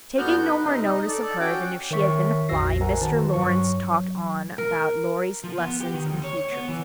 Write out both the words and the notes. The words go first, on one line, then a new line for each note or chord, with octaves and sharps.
Taking no more notice of her than if she had been a fly, Mr. Laurence talked on about Laurie's lessons and teachers.
F2 B3 D4 F#4 F6 G6
B4
C3 D#4
D#4
A4 D5
C#4 F#4 G5 D6
D#3 A#4 C#5 E5 C#6 B6
A#1 F2 F#4 E6 A#6 C7
A#4 C5 D#5 F#5 G#5 A#5
D#3 F#4 B4 C5 A5
G2 F#3 C#5 C#6
F#3
A#4
F3
B3
G4
D#3
D2
C#5
C#5
B3
E3